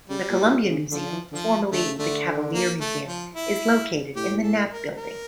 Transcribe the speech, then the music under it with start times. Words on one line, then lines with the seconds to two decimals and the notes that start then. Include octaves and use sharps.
The Columbia Museum, formerly the Cavalier Museum, is located in the Knapp building.
0.09 C#3 G3
0.30 A#2
0.41 A2
0.51 A#2
0.70 C#3
0.91 D3 F3
1.11 E3
1.31 D3 F3
1.72 D3 A3
1.86 C#3
1.99 D3 A3
2.53 A#3
2.80 A3
3.08 F3
3.35 E4
4.16 A2 G4
4.43 A4
4.70 A#4
4.97 A#4